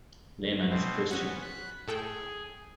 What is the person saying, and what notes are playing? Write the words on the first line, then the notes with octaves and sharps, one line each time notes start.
Lehman is a Christian.
B2 C4
B3 C#4 F#4
B5 F#6
A2 G#4 A4 G5